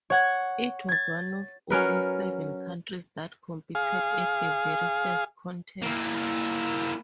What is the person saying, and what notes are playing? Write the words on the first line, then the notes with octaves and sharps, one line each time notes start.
It was one of only seven countries that competed at the very first contest.
C#5 F#5 G#6
G#6 A6
F#3 C#4 A#4 B4
G#4 F5
A#3 E4